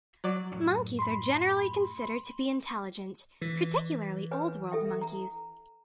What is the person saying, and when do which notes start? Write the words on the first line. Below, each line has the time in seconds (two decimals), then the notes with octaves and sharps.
Monkeys are generally considered to be intelligent, particularly Old World monkeys.
0.24 F#3 D5
0.52 F#2 A2
0.99 B5 C6
3.41 E3
4.31 B4 C#5 G#5
4.72 A4 E5 G5
5.01 A#5